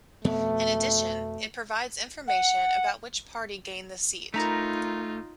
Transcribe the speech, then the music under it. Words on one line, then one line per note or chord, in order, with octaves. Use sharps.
In addition, it provides information about which party gained the seat.
F2 B2 A3 B3
F#5
A3 D#4 F4 A#4 A#5 B5